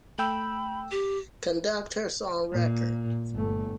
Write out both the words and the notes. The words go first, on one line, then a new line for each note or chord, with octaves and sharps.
"Conductors on Record".
A3 G5 B5 E6
G4
A#2
G1 A3